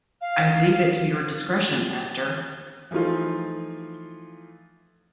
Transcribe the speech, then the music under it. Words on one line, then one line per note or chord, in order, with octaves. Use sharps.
I leave it to your discretion, Esther.
F5
E3 F3 A3 D#4 F4